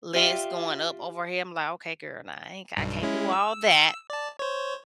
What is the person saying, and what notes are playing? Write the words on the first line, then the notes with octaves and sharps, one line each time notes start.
Legs going up over here, I'm like, "Okay, girl, now I ain't I can't do all that,"
F4 G4 D5 E5 F5 G5
B1 G2
G#3 C#4 E4
E6
D5 A5
C5 C#5